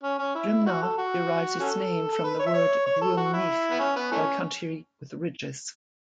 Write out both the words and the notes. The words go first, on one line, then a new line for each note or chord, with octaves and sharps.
Drimnagh derives its name from the word "druimneach", or country with ridges.
C#4
C#4
E4
F#4
A4
F#4
C#4 F#4 A4
A4
B4
C#5
E5
C#5
C#5
A4
F#4
E4
B3
C#4
B3
E3 A3 C#4